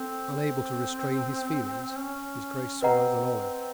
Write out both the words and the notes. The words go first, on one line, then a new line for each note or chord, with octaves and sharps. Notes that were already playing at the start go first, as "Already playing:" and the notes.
Unable to restrain his feelings, his Grace swallows an olive.
Already playing: C4 A4 C5
C4
C#4
C4 B4 D#5 F#5 A#5